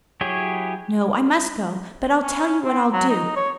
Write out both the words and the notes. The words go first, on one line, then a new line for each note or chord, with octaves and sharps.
No, I must go, but I'll tell you what I'll do.
F#3 E4 G4 G#4 C#5
C#4
C4
F#3
D#4
C#5